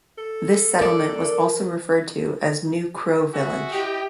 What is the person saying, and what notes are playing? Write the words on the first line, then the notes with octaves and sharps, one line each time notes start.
This settlement was also referred to as New Crow Village.
A4
D4 A#4 D5
F#4 G#4 E5
E4 G4 D#5